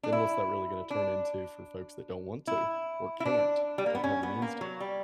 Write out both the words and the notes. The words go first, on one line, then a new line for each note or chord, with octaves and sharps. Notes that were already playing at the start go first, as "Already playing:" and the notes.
then what's that really gonna turn into for folks that don't want to, or can't, or have the means to?
D4
E4
D4
E4
E4
D4
G3
A#3
B3
C#4
B3
A#3
F#3
G3